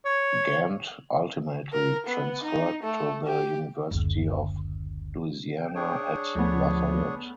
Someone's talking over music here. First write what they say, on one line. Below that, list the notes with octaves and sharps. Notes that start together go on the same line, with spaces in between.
Gant ultimately transferred to the University of Louisiana at Lafayette.
C#5
A#4
B3
D#4
A3
G4
F#1 D2
G5
D4 G#4 C#5
D2 F3 A3 B3